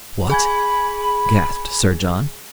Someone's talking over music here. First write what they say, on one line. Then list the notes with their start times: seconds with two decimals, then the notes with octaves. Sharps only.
"What!" gasped Sir John.
0.30 G#4 G#5 B5 G#6